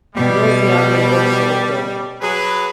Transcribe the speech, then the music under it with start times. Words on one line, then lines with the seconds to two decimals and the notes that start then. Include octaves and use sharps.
Nausea may also occur.
0.16 B2 G3
2.21 F#3 G#4 B4